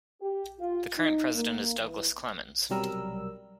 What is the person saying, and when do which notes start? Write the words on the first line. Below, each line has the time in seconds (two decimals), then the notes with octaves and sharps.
The current president is Douglas Clemens.
0.21 G4
0.59 F4
0.98 D#4
1.35 A#3
1.79 E3
2.70 B1 C3 F#3 G3 A#4 E6